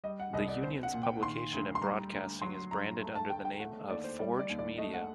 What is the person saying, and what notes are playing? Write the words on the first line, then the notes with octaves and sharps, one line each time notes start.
The union's publication and broadcasting is branded under the name of Forge Media.
G3 D#5
F#5
C2 D#5
D5
C4 C5
F#5
A#2
G5
D#3 C6
D2
C6
G3 A#5
D2
F#3 C6
G2 A#5
A3
A5
D2 G5
G5
A3 F#5
D#2 D5
C5
G3 D5
D5
D#2
D5
A3 D#5
F#5